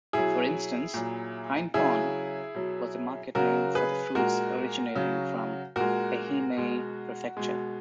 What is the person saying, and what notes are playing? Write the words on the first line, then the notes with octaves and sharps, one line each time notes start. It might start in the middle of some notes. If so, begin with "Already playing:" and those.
For instance, "himepon" was the market name for the fruits originating from Ehime prefecture.
B2 F#3 E4 G#4
A#2 F#3
C#3 F#3 E4 G#4
B2 F#3
C#3 F#3 F#4 A#4
G#4 B4
A#2 G#3 F#4 A#4
C#3 F#3
A#2 G#3 F#4 A#4
B2 G#3
B2 G#3